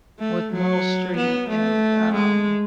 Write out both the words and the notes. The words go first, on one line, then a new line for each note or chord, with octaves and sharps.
with Meryl Streep and um
A3
F#3
B3
A3
G#3